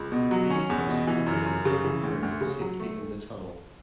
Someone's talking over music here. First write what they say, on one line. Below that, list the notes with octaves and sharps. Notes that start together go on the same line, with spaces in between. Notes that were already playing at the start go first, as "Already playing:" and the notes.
These have significantly improved safety in the tunnel.
Already playing: C#2
B2
F#3
C#4
E2
B2
E3
F#2
F#2
C#3
E3
D2
D2
C#3
F#3
A3